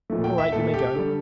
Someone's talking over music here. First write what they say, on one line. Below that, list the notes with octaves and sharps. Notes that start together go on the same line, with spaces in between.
'All right, you may go!'
A#2 F3 A3
G5
E5
A#2 A3 A4
G4
D3 G3 A4